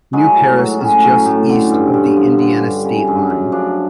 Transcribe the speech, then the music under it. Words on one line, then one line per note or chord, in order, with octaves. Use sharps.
New Paris is just east of the Indiana state line.
F#3 G#3
A2
F#3
A2 C#4
F#3
A2
D3
G2
G2
F3
D3
G2
C#3
F#2
F#2
F3 D4